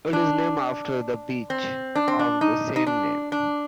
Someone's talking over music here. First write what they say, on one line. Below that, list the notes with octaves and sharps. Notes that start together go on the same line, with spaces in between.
It is named after the beach of the same name.
D4
C4
D4
C4
D4
D#4
D#4
D4
D4